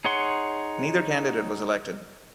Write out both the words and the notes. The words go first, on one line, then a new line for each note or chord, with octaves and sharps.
Neither candidate was elected.
D#4 G#4 C#5 F#5 C6